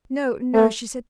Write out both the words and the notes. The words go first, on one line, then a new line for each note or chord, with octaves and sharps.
"No, no," she said.
A3